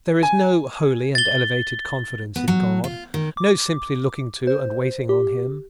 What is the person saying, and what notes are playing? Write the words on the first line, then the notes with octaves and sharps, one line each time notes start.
There is no holy and elevated confidence in God, no simply looking to and waiting on him.
G#5
A6 G7
B3
F#3
F4
D#3
D6
C5
G4